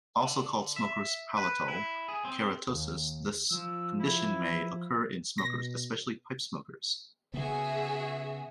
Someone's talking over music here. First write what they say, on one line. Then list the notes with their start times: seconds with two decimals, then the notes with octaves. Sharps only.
Also called smoker's palatal keratosis, this condition may occur in smokers, especially pipe smokers.
0.22 D3
0.76 E5
1.37 B4
1.68 E4
2.08 G#4
2.25 C4
2.68 D#2
3.51 F3 E6
4.00 E4
5.38 B2 A#6
7.34 C#3 B3 F#4 G#4 E5